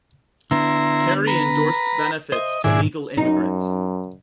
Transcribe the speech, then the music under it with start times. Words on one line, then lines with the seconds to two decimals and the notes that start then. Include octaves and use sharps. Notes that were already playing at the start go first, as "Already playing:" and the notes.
Kerry endorsed benefits to legal immigrants.
0.51 D3 B3 D4 E4 A#5 C6
1.27 B4 A#5
2.32 C5 D#5 E5
2.64 B1 G#2 D#3 D4 E4 G#4
3.17 F#2 D#4